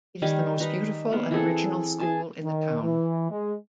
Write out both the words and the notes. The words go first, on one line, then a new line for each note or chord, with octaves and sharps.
It is the most beautiful and original school in the town.
D#3 G3 G#5 D6
D#4 B4 D#5
A#3 B3
E3 C4 G#4 A4
G#4 G#5 A5
D#3
E3
G#3